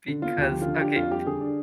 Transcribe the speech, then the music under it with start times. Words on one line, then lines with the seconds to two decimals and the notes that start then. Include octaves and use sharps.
because okay
0.08 D3
0.22 B3 F4
0.38 D2 G4
0.52 F3
0.62 D3 F4
0.81 D4 G4
0.96 F2 F4
1.11 G3 G4
1.27 D3 G#4
1.41 D4